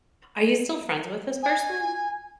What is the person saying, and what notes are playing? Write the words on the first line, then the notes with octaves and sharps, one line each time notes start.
Are you still friends with this person?
G#5